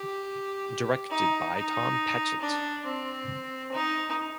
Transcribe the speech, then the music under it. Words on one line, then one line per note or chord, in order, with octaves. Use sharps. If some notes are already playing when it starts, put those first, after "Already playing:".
Directed by Tom Patchett.
Already playing: G4
D#4
D#4
D4
C4
D#4